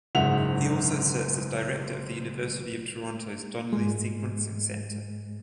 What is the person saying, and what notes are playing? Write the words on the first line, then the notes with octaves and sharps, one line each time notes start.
He also serves as Director of the University of Toronto’s Donnelly Sequencing Centre.
F#1 G#2 G#4 E5 F#5 F7
G#2 G#3